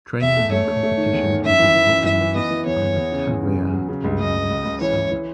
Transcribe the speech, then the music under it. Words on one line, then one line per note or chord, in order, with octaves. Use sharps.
Trainings and competitions will be organized on the Tähvere wall next summer.
E2 E5
A3
A3 C#5
A3
A3
D#3
E2
D#3
F#2 E5
E3
E3
F#2
E3 E5
E3
B3 D#5
E3
E2 C#5
E2
E2
C#3
E2
C#3
C#3
F#3
C#3
C#2
C#2 D#5
C#2
C#2
C#2
E3 C#5
E3
E3